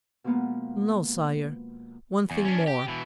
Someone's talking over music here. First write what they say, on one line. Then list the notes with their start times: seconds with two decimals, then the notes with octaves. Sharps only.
"No, sire, one thing more."
0.24 B2 F3 G#3 A#3 B3
2.31 E2
2.45 C#4 D4
2.67 G4
2.88 B2 E3